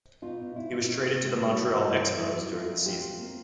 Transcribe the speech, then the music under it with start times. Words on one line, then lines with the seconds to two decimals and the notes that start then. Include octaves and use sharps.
He was traded to the Montreal Expos during the season.
0.22 B2 D#4 F4
0.39 B2
0.55 B2 E4
0.72 C4 D#4 F4
0.88 D#3
1.05 C3
1.21 G#3
1.38 G#3
1.54 G3 E4 F#4
1.70 E3
1.87 G2 E4
2.03 G2 D#4
2.20 F2 E4
2.36 F#3
2.52 F#3 D#4 F4
2.70 F2
2.85 F#3 F4 G4
3.02 C4
3.18 A#3